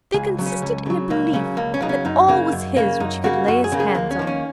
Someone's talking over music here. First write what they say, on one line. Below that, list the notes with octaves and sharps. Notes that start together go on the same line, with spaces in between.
They consisted in a belief that all was his which he could lay his hands on.
C#2 G#4
C#3 F#3
C#4
C#2
C#3 F#3
C#2 A#3
C#3 F#3 C#4
C#2 A#3
C#4
C#3 F#3 D#4
C#4
F#2 D#4
C#3 A#3
F#2
C#3 A#3
F#2 D#4
C#3 A#3 F#4
F#2 F#4
G#4
C#3 A#3
G#4
D#2 A#3
C#4
D#3 A#3
C#4